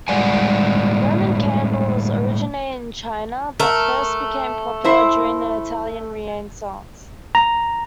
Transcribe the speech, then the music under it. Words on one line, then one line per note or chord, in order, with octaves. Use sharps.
Roman candles originated in China, but first became popular during the Italian Renaissance.
A2 G3 G#3 D5 F#5 G#5
A3 A#4
E4 C5 E5
A#5